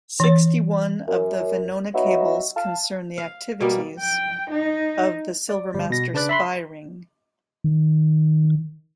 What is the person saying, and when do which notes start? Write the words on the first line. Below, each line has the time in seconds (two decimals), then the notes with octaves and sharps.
Sixty-one of the Venona cables concern the activities of the Silvermaster spy ring.
0.20 E3 C#5
1.08 F#2
1.94 F#3 B3 D#4 F#4 E5
2.57 F5 A5
3.18 F5
3.61 B2 G3 A#3
3.99 G5
4.51 D#4
5.49 D5
5.74 G1 G3
5.90 B2 A#6
6.14 C#3 D4 B4 D5 F#6
6.29 E5 B5 C6
7.64 D#3